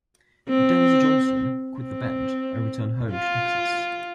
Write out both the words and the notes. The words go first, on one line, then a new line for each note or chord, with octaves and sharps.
Dennis Johnson quit the band and returned home to Texas.
C4
C4
F4